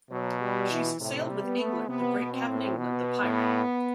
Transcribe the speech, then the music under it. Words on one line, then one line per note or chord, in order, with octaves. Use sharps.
She's sailed with England-the great Cap'n England, the pirate.
B2 F#3
G3
E3
A2 C3
G3
B3
A3
C3 B3
B2
C4
A2
B2 B3
A2